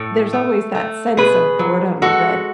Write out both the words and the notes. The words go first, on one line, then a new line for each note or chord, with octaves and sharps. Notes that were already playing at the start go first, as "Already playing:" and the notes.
there's always that sense of boredom that,
Already playing: A2 A4
A3
A3
B2 G#4 B4
F#3
G#3 F#4 A4